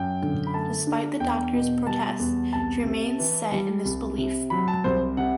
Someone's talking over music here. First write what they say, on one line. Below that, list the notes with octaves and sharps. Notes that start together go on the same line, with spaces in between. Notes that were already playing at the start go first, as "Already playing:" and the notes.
Despite the Doctor's protests, she remains set in this belief.
Already playing: F#2 G5
D3
B5
A3 A5
D4
E2 G5
B2
G3 A5
E2
C2 A5
C3
E3
G3
C2
C3
F#3 B5
A5
C2 C5
C3 F#5